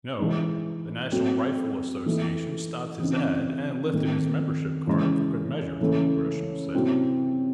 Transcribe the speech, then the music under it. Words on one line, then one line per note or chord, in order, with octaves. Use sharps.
"No; the National Rifle Association stopped his ad, and lifted his membership card for good measure," Gresham said.
E3 G#3 D#4
F#3 A3 C4
E3 A3 D#4
C#3 E3 C4 D#4
D#3 A3 C4 D#4
C#3 E3 G#3
C#3 E3 A3
C3 F#3 C4 E4